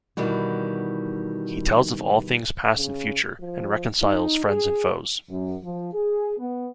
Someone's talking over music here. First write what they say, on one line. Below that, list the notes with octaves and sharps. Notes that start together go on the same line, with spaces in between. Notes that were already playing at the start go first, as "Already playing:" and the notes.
He tells of all things past and future, and reconciles friends and foes.
B2 D#3 E3 G3 F#4
C#3
F3
D#4
G#4
F#2
F3
G#4
B3